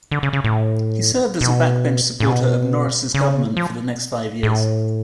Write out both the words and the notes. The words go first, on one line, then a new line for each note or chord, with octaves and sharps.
He served as a backbench supporter of Norris's government for the next five years.
D3
C#3
C#3
A2
B2
A2
B2
C#3
F3
A2